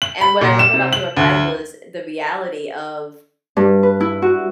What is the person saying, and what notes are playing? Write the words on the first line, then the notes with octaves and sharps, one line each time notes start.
And what I love about the revival is the reality of,
F#7
B5
A#2
E7
C3
F#7
D2
G2
B4
E4
F#4